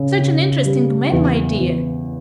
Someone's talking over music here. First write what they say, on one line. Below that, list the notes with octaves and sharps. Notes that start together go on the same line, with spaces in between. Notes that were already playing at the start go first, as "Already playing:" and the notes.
Such an interesting man, my dear.
Already playing: C#3
C#3
G3
E2
E2